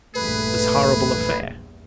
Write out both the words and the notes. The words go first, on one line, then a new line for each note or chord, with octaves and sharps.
This horrible affair.
A#1 E2 G2 A3 G#4 B4